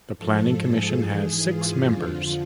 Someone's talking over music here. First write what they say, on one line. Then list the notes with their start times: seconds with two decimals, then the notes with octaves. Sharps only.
The Planning Commission has six members.
0.17 G#2 F3 A4
0.59 G#4
0.99 G#2 E3 G#4
1.42 F4
1.82 F2 D3 F3 F4